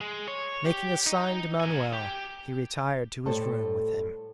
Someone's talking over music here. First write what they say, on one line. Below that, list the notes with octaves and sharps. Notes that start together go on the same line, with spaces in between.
And making a sign to Manoel, he retired to his room with him.
G#3
C#5
G4
D#4
A#4 G#5
G4
A2 G3 A4 C5 A5